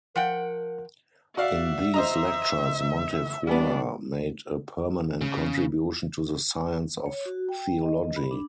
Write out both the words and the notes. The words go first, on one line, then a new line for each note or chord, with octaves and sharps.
In these lectures, Montefiore made a permanent contribution to the science of theology.
F3 A#4 F#5 G5
F#4 D5 E5 F5
C5 D#5 A#5
G3 B3 D4
C#3
C#5
F#4
G5
D#5
B5
D4